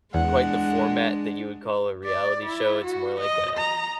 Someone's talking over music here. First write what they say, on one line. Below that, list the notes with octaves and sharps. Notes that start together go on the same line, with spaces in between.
quite the format that you would call a reality show, it's more like a
E2 G#3 D4 F#5
D5
E4
F#4
D#5
A#5